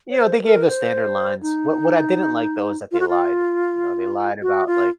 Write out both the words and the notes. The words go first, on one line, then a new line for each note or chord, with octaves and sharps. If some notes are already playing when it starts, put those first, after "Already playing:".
You know, they gave the standard lines, what what I didn't like, though, is that they lied, you know? They lied about, like
C#5
C5
C5
A#4
C5
D#4
F4
F#4
F4
F#4
F4